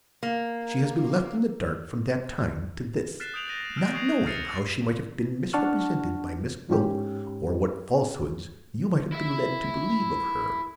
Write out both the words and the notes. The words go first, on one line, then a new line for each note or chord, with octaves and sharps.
She has been left in the dark from that time to this, not knowing how she might have been misrepresented by Miss Gwilt, or what falsehoods you might have been led to believe of her.
A#3
F6 F#6 A6 B6 C7 E7
D#6 G6 D7 F7 F#7
A#6 D#7
E6 F6 G6 A#6 D7
C#6 D#6 G#6 A#6 C7 F7
F6 A6 C7 C#7 D#7 F7
D4 F#5 A5 C#6 F6
G#2 C#4 G4
E4 E5